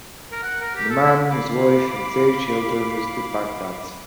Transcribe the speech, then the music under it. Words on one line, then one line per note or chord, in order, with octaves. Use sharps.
The man, his wife, and two children visited Baghdad.
A#4
F#5
A#4
G4
A4
E4
F5 B5 D6